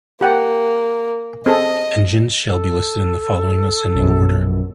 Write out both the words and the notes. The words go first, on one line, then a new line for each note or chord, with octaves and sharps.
Engines shall be listed in the following "ascending" order.
A#3 G4 F#5 G5
C4 G#4 A4 D#5
A4
A#1 F#2 B2